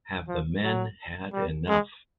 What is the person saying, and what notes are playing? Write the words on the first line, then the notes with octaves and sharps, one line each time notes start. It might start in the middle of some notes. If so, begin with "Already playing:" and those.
Have the Men Had Enough?
F3
F#3
G3
G#3